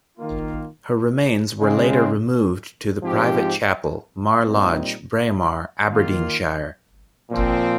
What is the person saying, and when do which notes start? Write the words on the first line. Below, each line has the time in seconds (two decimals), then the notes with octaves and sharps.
Her remains were later removed to the Private Chapel, Mar Lodge, Braemar, Aberdeenshire.
0.18 D#3 A#3 F4
1.61 C#3 G#3 C4
3.03 G#2 F3 C4 G4
4.46 A#2 G3 C4 D#4
5.88 D#3 A#3 F4
7.30 A#2 F3 C4